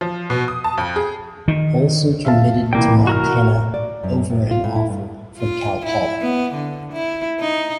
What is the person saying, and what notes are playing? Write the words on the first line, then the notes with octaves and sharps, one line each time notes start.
Olson committed to Montana over an offer from Cal Poly.
F3
B2
D#6
A5
F2
G#4
D#3
E5 F5 A5
C2 E3 A#3 G5
F#4 A#4 F6
D5
F#2
A2
F4
A2
E4
G2
F4
E4
B3
D3
E4
D#4